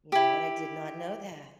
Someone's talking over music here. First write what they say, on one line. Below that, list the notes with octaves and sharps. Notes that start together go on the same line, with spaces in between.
You know what? I did not know that.
E4 G4